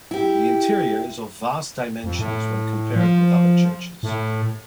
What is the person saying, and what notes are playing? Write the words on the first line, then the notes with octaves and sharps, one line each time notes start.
The interior is of vast dimensions when compared with other churches.
E4 G4
F2
A2
F3
A2